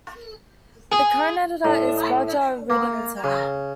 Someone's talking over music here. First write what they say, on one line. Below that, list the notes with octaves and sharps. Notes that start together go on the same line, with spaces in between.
The current editor is Roger Riddington.
G#4
A2
A#3
C#3